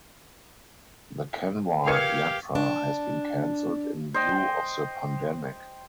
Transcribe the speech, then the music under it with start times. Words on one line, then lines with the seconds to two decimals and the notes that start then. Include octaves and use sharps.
The Kanwar Yatra has been cancelled in view of the pandemic.
1.87 G4 A#4 B4 D#5 F5 F6 G#6 C#7
2.55 D4
4.14 C5 D#5 G5